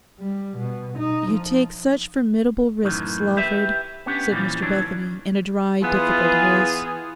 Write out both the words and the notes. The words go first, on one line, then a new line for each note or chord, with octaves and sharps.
'You take such formidable risks, Lawford,' said Mr Bethany in a dry, difficult voice.
G3
B2
D#4
F3
F#2 A2 D#3 E3
G4 B4 E5
B3 C#4 D4 G4
A#2 D3 E3 F3 G3
D#3 E3 F#3 C#4 D4
E3 B3 F4 G#4